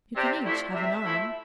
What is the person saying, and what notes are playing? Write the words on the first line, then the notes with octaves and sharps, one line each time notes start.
"You can each have an arm."
C3 D5
F3 A3 E4 D5
C3 E5
F3 A3 E4